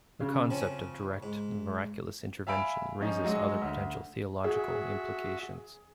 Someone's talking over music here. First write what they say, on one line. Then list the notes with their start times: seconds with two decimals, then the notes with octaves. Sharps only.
The concept of direct miraculous intervention raises other potential theological implications.
0.21 C#3
0.50 F3 C4 C#4
1.23 G#2
2.47 E5 F5 G#5 B5 E6 D7
3.00 F3 C#4 D#4
3.24 F#3 G#3 D#5
3.62 D2
4.44 F#4 G#4 E5